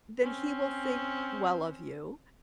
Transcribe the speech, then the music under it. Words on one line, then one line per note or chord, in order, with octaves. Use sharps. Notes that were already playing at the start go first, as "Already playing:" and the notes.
then he will think well of you,
C4 C#4